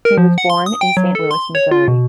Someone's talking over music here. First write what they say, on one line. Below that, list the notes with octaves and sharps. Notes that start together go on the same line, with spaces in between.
He was born in Saint Louis, Missouri.
A#4
F3
F#5
C6
D#6
G5
F#3
A4
C6
C#5
F4
B2